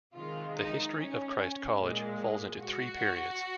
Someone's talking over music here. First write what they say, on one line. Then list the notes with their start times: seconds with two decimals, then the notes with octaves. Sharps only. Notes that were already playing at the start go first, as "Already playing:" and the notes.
The history of Christ College falls into three periods.
0.14 C3 D#3 G#3 F4
0.55 D#4
0.96 C#4
1.79 A#2 G#3
2.62 F#4